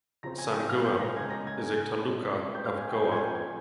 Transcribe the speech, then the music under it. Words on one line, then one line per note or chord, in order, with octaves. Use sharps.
Sanguem is a taluka of Goa.
C#3 F3 C4 A#5 A#6
G#5 G#6
G5 G6
F5 F6
G5 G6
A#5 A#6
C#3 G#3 C#4 G#5 G#6
A#5 A#6
G#5 G#6
G#5 G#6
A#2 G#3 C#4
G5 G6
F5 F6
G#5 G#6
G5 G6
A#2 F3 A#3 C#4 G5 G6
G#5 G#6
G5 G6
G#5 G#6